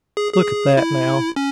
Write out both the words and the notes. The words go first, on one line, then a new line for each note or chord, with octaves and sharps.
Look at that, now.
G#4
G#4
E4
C#4